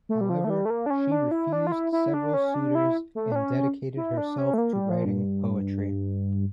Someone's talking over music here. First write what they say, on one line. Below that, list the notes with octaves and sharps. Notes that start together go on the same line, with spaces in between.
However, she refused several suitors and dedicated herself to writing poetry.
A3
G3
F3
A3
G3
A3
A#3
D4
C#4
D4
E4
D4
F4
E4
E4
D4
C#4
D4
E4
A3
D4
C#4
E4
D4
C#4
A3
A#3
G3
F3
G2